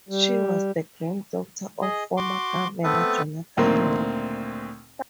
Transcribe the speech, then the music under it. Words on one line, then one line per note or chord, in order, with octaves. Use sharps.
She was the granddaughter of former Governor Jonathan Worth.
G3
G#4 D#5
F#4 C6 D6
A3 B3 C4 A4 B4
D2 A#2 D#3 A#3 C4